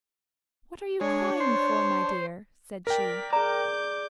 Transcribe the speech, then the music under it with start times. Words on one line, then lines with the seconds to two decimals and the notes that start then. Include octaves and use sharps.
'What are you crying for, my dear?' said she.
1.01 G#3 D4 C#5
1.40 C5 C6
2.87 A#4 D5 G5 B6
3.33 G#4 D5 A#5 D6 G6